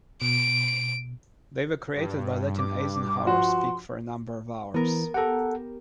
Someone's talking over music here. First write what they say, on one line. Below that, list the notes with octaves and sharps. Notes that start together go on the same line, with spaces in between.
They were created by letting Eisenhower speak for a number of hours.
B2 D7
G2
D6
F3 F#4 C6
E3 B3 A#4
G4 A4 A#4 F#5